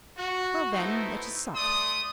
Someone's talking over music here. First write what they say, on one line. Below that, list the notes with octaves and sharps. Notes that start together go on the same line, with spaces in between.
"Well, then, let us sup."
F#4
A3 B3 D#4 E4 C5
A3 D5 C6 D#6